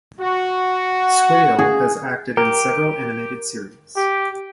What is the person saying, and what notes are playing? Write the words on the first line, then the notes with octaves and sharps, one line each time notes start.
Swaile has acted in several animated series.
F#4
G#4
G4 A#4
G4